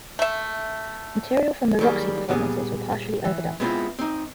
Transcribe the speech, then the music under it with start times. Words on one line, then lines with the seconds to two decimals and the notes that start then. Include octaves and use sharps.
Material from the Roxy performances were partially overdubbed.
0.19 A3 E5
1.79 D#3 F#3 G3 A#3 G#4
2.29 A#2 G3 B3 G#4
3.25 E3
3.60 G#3 B3 C4 D4 E4 F4
3.99 C4 D#4